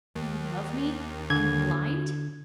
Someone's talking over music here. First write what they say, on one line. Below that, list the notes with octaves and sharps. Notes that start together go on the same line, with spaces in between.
'You love me, and blind?'
D#2
D3 G#6